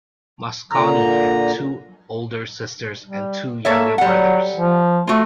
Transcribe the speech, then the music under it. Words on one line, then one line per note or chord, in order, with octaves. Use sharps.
Mosconi had two older sisters and two younger brothers.
A#2 D3 A#5
G3
A#3 A4 C#5 E5
F#3 G3 F#5
F3
A3 F4 F#4